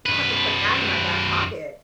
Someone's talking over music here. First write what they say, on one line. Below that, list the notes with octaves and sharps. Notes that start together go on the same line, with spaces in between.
I'm gonna have to put that in my back pocket.
F#2 B4